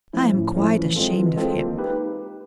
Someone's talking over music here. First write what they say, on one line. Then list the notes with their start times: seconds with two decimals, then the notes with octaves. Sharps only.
I am quite ashamed of him.
0.13 F3 A3 C#4 E4
0.33 A2
0.54 F3 A3 C#4 E4
0.75 E3
0.96 G#3 C4 F4 A4
1.16 E3
1.36 G#3 C4 F4 A4
1.58 A#3
1.78 D#4 G4 B4